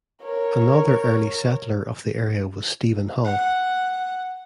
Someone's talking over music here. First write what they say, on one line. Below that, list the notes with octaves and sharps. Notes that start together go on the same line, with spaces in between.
Another early settler of the area was Stephen Hull.
A#4 C#5
F#5